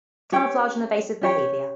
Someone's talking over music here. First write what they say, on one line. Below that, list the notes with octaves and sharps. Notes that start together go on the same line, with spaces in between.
Camouflage and Evasive Behaviour.
C#4 G4 C#5 G5
C#4 G4 C#5 G5